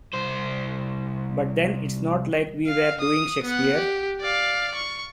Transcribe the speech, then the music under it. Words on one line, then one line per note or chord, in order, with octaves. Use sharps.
But then it's not like we were doing Shakespeare.
C2 C5
F5
D#6
B3 F#5
G4
D5 F5
C#6